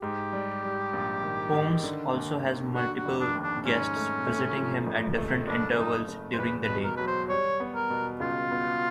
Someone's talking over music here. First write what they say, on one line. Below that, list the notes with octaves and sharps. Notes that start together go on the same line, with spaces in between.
Holmes also has multiple guests visiting him at different intervals during the day.
G#2 G4
G3
G3
A#1
D#3
D#3
D3
D#2
D#2
D3 F#4
F#4
F1
D4
D#2
D4
G#2 C#4
A3
A3
F3
A1
A3
F#1 D4
F#1 D#4
F#1
C5
E2 B4
B4
B2
A#4
F#3 B4
C5
G3 C#5
B3
A#4
B2
C#2 F4
B3